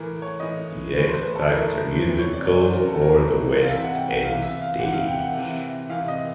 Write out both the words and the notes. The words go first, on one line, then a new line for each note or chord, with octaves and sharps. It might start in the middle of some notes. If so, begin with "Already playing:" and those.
The X Factor Musical for the West End stage.
Already playing: A2 E3 A#4
C#5
A2 E3 D#5
A2 E3
C5
B4
A4
A2 E3 A#4
C3 E3 B4
C#5
D5
C#5
C3 E3 C5
A#4
A4
A#4
C3 E3 B4
F5
C3 E3 E5
F#5
G5
F#5
C3 E3 F5
E5
F5
C3 E3 F#5
F5
G5
F#5
C3 E3
C3 E3 F5
D#5